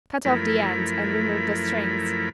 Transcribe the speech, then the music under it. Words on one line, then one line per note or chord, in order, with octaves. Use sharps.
Cut off the ends and remove the strings.
F#2 F3 A3 E4 A#4 B5